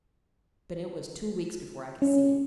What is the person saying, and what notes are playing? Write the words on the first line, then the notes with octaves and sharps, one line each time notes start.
But it was two weeks before I could see.
C#4